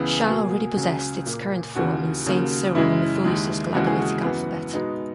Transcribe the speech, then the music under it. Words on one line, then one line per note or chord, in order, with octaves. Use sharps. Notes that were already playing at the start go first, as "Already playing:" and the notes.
Sha already possessed its current form in Saints Cyril and Methodius's Glagolitic alphabet.
Already playing: C#2 C#3 E3 B3 G#4
B2 A#3
C#2 C#3 F#3
A#2 A#3
D#2 C#3 E3 F#4
D#2 C#3 F#3 A#3
F#2 C#3 E3 G#3 E4
D#2 D#3 G#3
D#2 C#3 E3 G#3 F#4
G#4
F#4
F#2 E3 B3
B2 G#3 B3 D#4